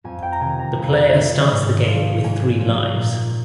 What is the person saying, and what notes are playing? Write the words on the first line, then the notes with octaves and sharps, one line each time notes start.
The player starts the game with three lives.
F2 G#5
G5
A#5
C3 D#3 G#5
A#5
F2
C3 D#3
G#2
F3
G#2 G#5
F3
A#2